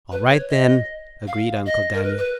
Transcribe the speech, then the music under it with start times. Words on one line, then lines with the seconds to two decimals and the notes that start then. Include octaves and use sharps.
"All right, then," agreed Uncle Daniel.
0.12 B4
0.31 C#5
0.50 D#5
1.27 F5
1.66 D#5
1.94 A#4
2.03 B4
2.18 B4